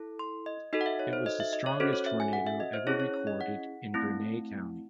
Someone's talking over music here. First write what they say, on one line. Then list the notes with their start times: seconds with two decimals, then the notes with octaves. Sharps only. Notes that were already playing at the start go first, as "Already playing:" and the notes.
It was the strongest tornado ever recorded in Greene County.
Already playing: E4 A4
0.19 C6
0.46 D#5
0.73 D#4 F#4 A4 D#5
0.81 F#5
0.86 E5
0.99 C#5
1.13 C5
1.26 D#5
1.40 E5
1.53 D#5
1.66 C#5
1.80 C#4 F#4 A4 C5
1.93 C#5
2.06 E5
2.20 G#5
2.33 F#5
2.47 E5
2.60 D#5
2.74 C5
2.87 C#4 E4 G#4 C#5
3.00 C#5
3.14 C#5
3.27 D#5
3.41 F#5
3.94 A3 C4 E4